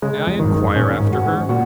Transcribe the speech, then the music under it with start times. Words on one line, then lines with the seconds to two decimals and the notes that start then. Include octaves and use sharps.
May I enquire after her?
0.02 C#3 G#3
0.27 F2
0.39 G#2 D#3
0.51 F#2
0.76 A#2 C#4
1.00 G#2
1.13 F#4
1.25 G#2
1.49 A#2 F#4